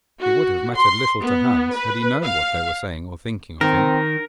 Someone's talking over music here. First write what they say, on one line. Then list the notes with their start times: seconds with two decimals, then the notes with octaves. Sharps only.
It would have mattered little to Hans had he known what they were saying or thinking of him.
0.21 F#4
0.76 C6
1.20 B3
1.75 B4
2.22 F5
3.61 D#3 C4 A#4